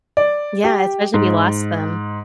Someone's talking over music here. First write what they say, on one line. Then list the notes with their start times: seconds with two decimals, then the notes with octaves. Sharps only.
Yeah, especially if you lost them.
0.17 D5
0.64 G4
1.14 G#2